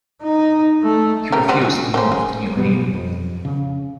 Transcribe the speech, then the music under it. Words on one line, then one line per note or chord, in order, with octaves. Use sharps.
He refused to move to New Haven.
D#4
A3
C#3 A#4 G5
G3 F#4 C5
F#4 G#4
A#3 C#4 C5
G#4
B2 F#3 G3 B3
F2
C#3